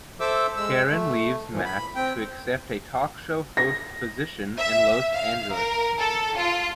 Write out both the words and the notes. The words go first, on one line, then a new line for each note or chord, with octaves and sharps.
Karen leaves Matt to accept a talk show host position in Los Angeles.
A4 C5 E5 D6 E6
G#3 E6
A3
A#2 E3 F3
B5
C4 G5
A#6
E5
F5
A#4
A4
F4